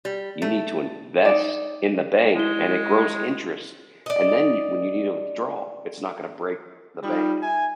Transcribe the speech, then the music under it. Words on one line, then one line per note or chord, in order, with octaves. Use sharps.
You need to invest in the bank, and it grows interest, and then you when you need to withdrawal, it's not gonna break the bank."
G3
A3
D#4 D5
G#3 E4 G7
D5 D#5
G3 D#4 F4 G4
E5 G#5